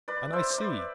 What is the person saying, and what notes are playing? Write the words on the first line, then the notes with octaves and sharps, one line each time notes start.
And I see.
B4 D5
C5 E5
C5
B4 D5